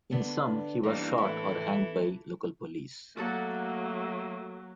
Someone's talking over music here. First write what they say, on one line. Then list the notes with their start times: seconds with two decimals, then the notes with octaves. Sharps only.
In some he was shot or hanged by local police.
0.11 D3 B3 D4
0.83 E3 G3 A#3 D4 D#4
1.18 A2 E3 E4 A4
3.17 F#3 A3 A#3 F#4 A4 F#5